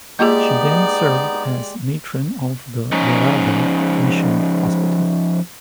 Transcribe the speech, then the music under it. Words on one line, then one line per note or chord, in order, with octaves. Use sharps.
She then served as matron of the Yarrabah mission hospital.
G#3 A#3 B3 D#4 F4 G4 G#4 D5
F3 C#4 D#4